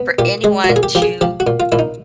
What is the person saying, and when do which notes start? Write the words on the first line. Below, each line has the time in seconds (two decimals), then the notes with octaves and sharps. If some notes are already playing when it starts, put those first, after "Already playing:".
for anyone to
Already playing: B3
0.19 A#2 G4
0.44 G#3 G#4
0.64 F#4
0.69 A#2
0.76 G#4
0.83 G4
0.95 F3 G4
1.02 G#4
1.21 F3 G4
1.40 F#4
1.47 A#2
1.60 F4
1.72 A#2 E4
1.79 D#4